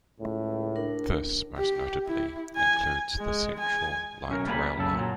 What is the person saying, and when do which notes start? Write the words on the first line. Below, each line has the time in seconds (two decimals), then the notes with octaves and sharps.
This, most notably, includes the Central Light Rail line.
0.20 C#2 A2
0.76 D4 A#4
1.57 G4
2.06 E4
2.57 G#5
3.19 G#3
3.60 G#5
4.29 B1 C#4 A#4
4.47 G3 A#3 B4 F5 G#5 B5
4.78 F#2 C#3 A4
4.95 A#2 F#3